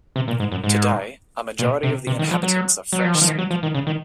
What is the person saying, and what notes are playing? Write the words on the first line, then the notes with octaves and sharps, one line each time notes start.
Today, a majority of the inhabitants are French-speaking.
C3
A#2
G#2
F#2
G#2
A#2
C3
C3
D#3
F3
F#3
F#3
F3
D#3
F3
D#3
F#3
F3
D#3
C#3
D#3